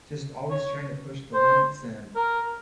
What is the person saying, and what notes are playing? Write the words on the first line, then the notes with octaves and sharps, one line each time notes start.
just always tryna push the limits and,
C#5
C5
A#4